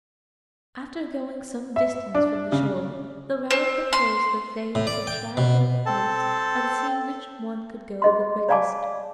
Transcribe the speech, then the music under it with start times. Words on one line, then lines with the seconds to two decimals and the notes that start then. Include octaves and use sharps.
After going some distance from the shore the rabbit proposed that they should try their boats and see which one could go the quickest.
1.76 E5
2.15 D4
2.52 C#3
3.51 C4
3.93 C6
4.75 A2
4.87 D5
5.07 G5
5.37 B2
5.86 C4 A4 A5
8.02 G#4 D#5 C6
8.49 C#5 D5 F5 G#5 A5 D6